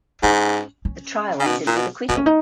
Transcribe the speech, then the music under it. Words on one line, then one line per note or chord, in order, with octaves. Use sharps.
The trial ended with acquittal.
G#2 C#4
C#4
C#3
B2
A#2
B2
B2 D#4
C#4
D#4